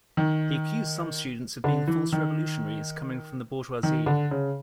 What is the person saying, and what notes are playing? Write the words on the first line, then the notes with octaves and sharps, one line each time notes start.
He accused some students of being "false revolutionaries" coming from the bourgeoisie.
D#3
D3
E3
D#3
D#3
D3
C#3